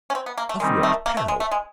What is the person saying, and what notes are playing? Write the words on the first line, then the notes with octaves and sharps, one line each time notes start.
Of what peril?'
C#4
C4
B3
A#3
A3
D#3 G3 G#3 C4 D#4
A3
A#3
A3
G#3
A3
G#3